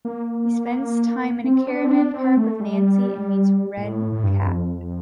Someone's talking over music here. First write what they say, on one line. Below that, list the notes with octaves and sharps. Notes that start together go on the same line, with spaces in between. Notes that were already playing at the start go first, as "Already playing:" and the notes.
He spends time in a caravan park with Nancy and meets Red Cat.
A#3
C4
D4
C4
D4
C4
A3
G3
A2
A2
G2
G2
F2